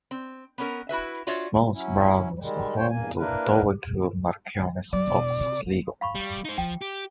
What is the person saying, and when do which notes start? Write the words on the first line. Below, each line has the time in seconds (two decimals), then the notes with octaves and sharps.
Mount Browne was home to the Dowager Marchioness of Sligo.
0.11 C4
0.58 B3 C#4 A#4
0.89 E4 F#4 B4 E5
1.27 D4 F4 F#4 C#5 E5
1.73 F#3 C#4 E4
2.39 D#3 G3 G#3
2.76 D3 C5 C#5 G5
2.90 E2 G2 A#3 G#5
3.18 A#3 D4 E4 A#4 B4
4.93 F#2 F#3 D5
5.07 E1
5.41 C3
6.01 F5 B5 C#6
6.15 G3
6.45 D#4 C5
6.58 F3 G5
6.81 G4